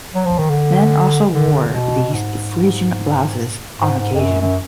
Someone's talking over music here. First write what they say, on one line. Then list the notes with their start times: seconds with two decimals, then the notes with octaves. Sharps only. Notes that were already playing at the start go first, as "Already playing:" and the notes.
Men also wore these "Frisian blouses" on occasion.
0.15 F#3
0.26 F3
0.38 D#3
0.50 D3
1.32 D3
1.68 D3
1.74 B2
2.14 G#2
3.79 G#2
3.99 G#2
4.14 F2
4.20 F#2
4.41 F#2